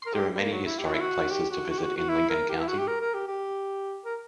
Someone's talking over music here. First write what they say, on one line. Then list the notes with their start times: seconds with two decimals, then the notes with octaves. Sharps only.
There are many historic places to visit in Lincoln County.
0.06 A#4
0.14 G4
0.36 G3
0.40 A#3
0.52 F#3
0.66 E4
0.78 G4
0.86 F#4
0.94 E4
1.00 F#4
1.31 G4
1.51 F#4
1.70 F#4
1.78 G4
1.83 F#4
1.97 F#4
2.09 E4
2.30 A#4
2.49 G4
2.59 E4
2.68 F#4
2.78 G4
2.88 A#4
3.01 A#4
3.14 G4
3.27 G4
4.05 A#4